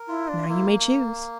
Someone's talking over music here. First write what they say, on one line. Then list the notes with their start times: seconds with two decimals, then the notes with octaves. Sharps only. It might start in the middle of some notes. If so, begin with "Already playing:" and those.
Now you may choose.'
Already playing: A#4
0.08 E4 F4
0.28 D4
0.48 A#3 E4